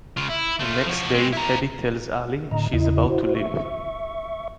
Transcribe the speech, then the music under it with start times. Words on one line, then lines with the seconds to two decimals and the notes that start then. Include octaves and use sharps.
The next day Hedy tells Allie she is about to leave.
0.17 C#3 F4
0.29 E4
0.60 A3 F4
0.86 F3 F#4
1.14 G#3 C4
1.33 E4 A#5
2.51 A2 D3 D#5 A#5
2.73 E2 C#3 E4 D#5
3.08 E4 F#4 C5
3.35 E5 C#6